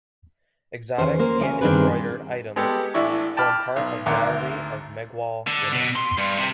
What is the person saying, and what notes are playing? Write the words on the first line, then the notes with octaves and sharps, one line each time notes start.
Exotic hand-embroidered items form part of dowry of Meghwal woman.
E2 D#3 C#4 C5
A#3 C5
C#3 D5 G#5
G2 D#3 C4 D4 G#4 B4
G#3 B3 G4 A4
A1 D4 E4 C#6
G5 A5 B5 D6 F6
B1
G#1 D2 A#4 F#5 D6
D3
B2
C6
G2
C3